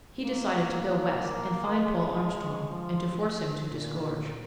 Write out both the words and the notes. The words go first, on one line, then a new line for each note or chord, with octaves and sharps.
He decided to go west and find Paul Armstrong, and to force him to disgorge.
A#3
A#3
G#3
G#3
F3
A#2